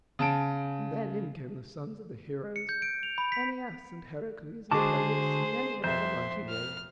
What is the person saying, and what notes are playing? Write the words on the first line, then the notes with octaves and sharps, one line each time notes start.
And then in came the sons of the heroes, AEneas, and Heracles, and Peleus, and many another mighty name.
C#3 A5 D7
C#7
G6
D7
F7
B5
B6
D3 G#3 F#4 G#4 C5 A5 D6
F2 C5 E5 C6
F6